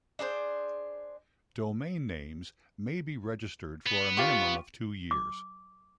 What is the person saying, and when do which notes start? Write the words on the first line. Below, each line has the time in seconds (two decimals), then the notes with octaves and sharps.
Domain names may be registered for a minimum of two years.
0.19 D4 G#4 A4 C5
3.86 B3
4.17 F4 G4 C#6
5.11 D6